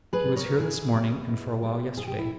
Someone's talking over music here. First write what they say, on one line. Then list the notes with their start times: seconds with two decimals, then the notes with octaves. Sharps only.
"He was here this morning and for a while yesterday."
0.13 G#4 B4
0.24 G3 B3
0.36 A#4 C#5
0.59 B2 E4 G#4
0.94 G3 B3
1.28 B2
1.62 G3 B3
1.97 B2 G#4
2.07 G4
2.19 E4